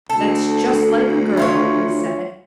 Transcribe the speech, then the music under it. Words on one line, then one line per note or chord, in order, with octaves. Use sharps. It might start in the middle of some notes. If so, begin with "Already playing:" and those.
"That's just like a girl," he said.
D2 A4
E4 F4 C#5